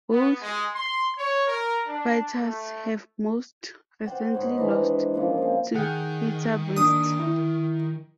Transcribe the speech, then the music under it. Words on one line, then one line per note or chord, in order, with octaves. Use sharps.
Both fighters have most recently lost to Pieter Buist.
B3
G#3
C6
C#5
A#4
D4
A3
C5 D5 F#5 G5
G#2 C#5 B5 C6
E3 D4 D#5
A#2 C#3 F3
C4 G#4 A#4
D#3 G#4 F#5 G5
A#3 D4 D#6
E4